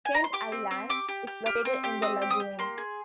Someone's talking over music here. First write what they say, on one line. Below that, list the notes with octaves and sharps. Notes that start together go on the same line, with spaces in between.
Kent Island is located in the lagoon.
G#5
A#5
C6
G4 D6
C4
C4
G4 D6
G4
G4
G4 F6
C4
G4
C4 D#6
G4
D#6
G4
A#3 C6
G#4